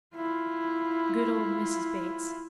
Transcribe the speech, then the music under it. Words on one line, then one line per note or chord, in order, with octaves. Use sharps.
Good old Mrs. Bates.
E4 F4